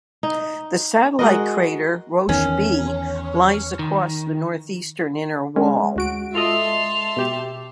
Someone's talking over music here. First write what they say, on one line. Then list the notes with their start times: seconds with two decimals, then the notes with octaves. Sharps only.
The satellite crater Roche B lies across the northeastern inner wall.
0.23 D#4
1.19 G#3 F#4 A#4 D#5
2.29 E2 D#3 C#4
3.79 D#3
5.56 G#3 C#4
5.96 D2 F#4 D7
6.35 F4 A4 D#5 E5 A5 C6 F7
7.16 B2 G4